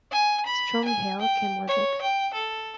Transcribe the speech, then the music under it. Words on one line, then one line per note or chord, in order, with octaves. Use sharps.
Strong hail came with it.
G#5
B5
G#5
G5
C#5
G5
A4